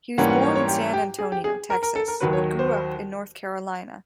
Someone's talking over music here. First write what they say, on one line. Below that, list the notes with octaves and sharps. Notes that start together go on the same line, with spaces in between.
He was born in San Antonio, Texas, but grew up in North Carolina.
G#2 E3 G3 A#3 C#4 F#5
F#5
C#5
C#5
G4
G4
G#4
G4
G#4
A#4
A#4
A4
A#4
D#2 D#3 F#3 B4
C#5
C5